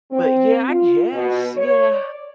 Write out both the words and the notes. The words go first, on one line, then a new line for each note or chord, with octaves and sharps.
But, yeah, I guess, yeah,
C4
F4
B2
C#5
D5